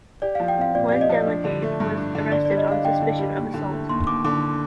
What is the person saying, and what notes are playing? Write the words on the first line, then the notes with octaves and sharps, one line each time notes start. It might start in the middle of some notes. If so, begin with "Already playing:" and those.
One delegate was arrested on suspicion of assault.
G4 D5
F3 F5
G5
C4 F5
A#2 D5
G4 D5
D#5
F3 D5
D4
D3
A3
G2
D4
D3
D3 D5
G3 D5
D#5
D4 F5
D3 G5
D3
G3
D#2
D3
A3
D#2 C6
D#2 D6
D3 D6